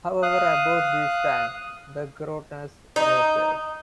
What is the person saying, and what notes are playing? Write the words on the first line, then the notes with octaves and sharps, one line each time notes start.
However, about this time the Grodners reappeared.
F5 D#6 F#6
D#4